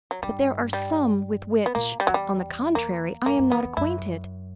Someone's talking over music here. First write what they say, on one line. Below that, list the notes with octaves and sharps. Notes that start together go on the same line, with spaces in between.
But there are some with which, on the contrary, I am not acquainted.
F#3
G2 G3
G3
B3
A#2 A#3
G3
E2 F#3
G3
A#3
F#2 A#3
F#2
E2 B3
E2
F#2 E4